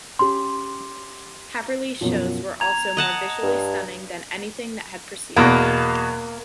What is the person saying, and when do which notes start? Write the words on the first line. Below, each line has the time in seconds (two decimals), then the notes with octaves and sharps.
Haverly's shows were also more visually stunning than anything that had preceded them.
0.19 C#4 G4 C6
2.01 F#2 B2 F3
2.61 A#5 G#6 F7
2.97 D#5 F#5 A5
3.43 G2
5.36 E2 B2 A#3